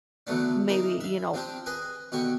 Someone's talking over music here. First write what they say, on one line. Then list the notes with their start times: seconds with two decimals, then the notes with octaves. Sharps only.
maybe, you know,
0.27 D3 E3 F#3 A3 B3 D4
0.68 D#4 E4 G#4 A#4 D5
1.00 E5 F5
1.34 F3 C4 D4 F4 G4
1.66 G#4 B4 D#5 G#5
2.12 B2 D3 G4 G#5 C#6